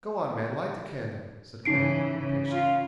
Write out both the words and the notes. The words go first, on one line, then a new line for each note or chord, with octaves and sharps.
"Go on, man, light the candle!" said Kennedy impatiently.
C#3 E3 D#4 C7 D7
C#3
F4